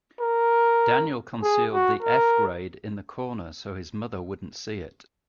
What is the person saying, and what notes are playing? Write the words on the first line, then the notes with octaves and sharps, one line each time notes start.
Daniel concealed the F grade in the corner so his mother wouldn't see it.
A#4
G#4
F#4
A#4